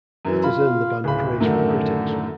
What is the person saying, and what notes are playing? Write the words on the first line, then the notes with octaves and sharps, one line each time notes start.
It has earned the band praise from critics.
F#2 E3 F#3
F4 B5
D1 C#3 B5
F#2 A2 D3 D#3